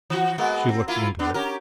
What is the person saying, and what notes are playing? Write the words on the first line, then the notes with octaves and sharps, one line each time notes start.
She looked into it.
E3 F#4
G#3 A#3 B3
C4
A#3 E4 F4
B3 D4
C#4 G4 A#4